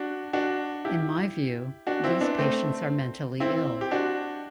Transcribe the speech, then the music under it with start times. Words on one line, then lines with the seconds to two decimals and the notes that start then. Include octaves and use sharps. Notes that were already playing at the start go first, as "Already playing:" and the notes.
In my view, these patients are mentally ill.
Already playing: D4 F#4
0.33 D4 F#4
0.85 E4 G4
1.87 D4 F#4
2.04 C4 E4
2.21 B3 D4
2.38 A3 C4
3.40 C4 E4
3.81 G4
3.91 D4 F#4